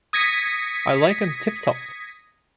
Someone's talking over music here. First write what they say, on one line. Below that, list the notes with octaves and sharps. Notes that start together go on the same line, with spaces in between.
I like 'em tip-top.
D#6 G#6 A#6 B6 C#7